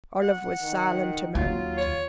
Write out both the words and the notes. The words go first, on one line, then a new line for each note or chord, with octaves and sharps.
Olive was silent a moment.
F#5
D#3
D#2 F#3 F4
C#5